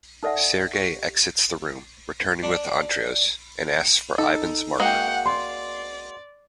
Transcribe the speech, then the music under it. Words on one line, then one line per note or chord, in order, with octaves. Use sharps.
Serge exits the room, returning with the Antrios, and asks for Yvan's marker.
D#4 A4 D5 E5 F#5
G4
D4
D#4 A4
G#3 A#3 F#4 F#5 G5
D5 C6